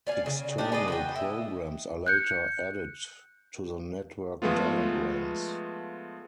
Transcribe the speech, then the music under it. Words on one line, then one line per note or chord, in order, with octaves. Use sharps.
External programs are later added to the network diagrams.
D5 F5 G#5
C#3
D4 D#4 G4
G#4 B4 D5 D#5
F#4 B4 G5
E4 D#5
F#6 G6 C#7
F3 G#3 A3 B3 F4